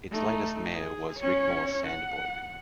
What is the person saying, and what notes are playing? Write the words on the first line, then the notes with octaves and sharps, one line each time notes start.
Its latest mayor was Rigmor Sandborg.
A3 D#4
G#4
C#4 C#5
F#5